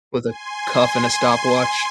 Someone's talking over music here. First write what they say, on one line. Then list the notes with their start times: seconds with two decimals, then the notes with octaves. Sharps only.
With a cuff and a stopwatch.
0.25 G#5 C6